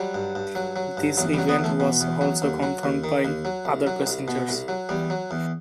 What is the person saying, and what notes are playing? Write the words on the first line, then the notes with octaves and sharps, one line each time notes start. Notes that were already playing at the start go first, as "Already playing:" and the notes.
This event was also confirmed by other passengers.
Already playing: F#3 G3
G2
G2
F#3
F#3
G2
E2 F#3
G3
F#3
B3
E2
A3
B2
E2
F#3
D#2
F#3
D#2
D#3
D#2
F#3
C2
F#3
C2
B2
C2
F#3
E2 G3
F#3
E2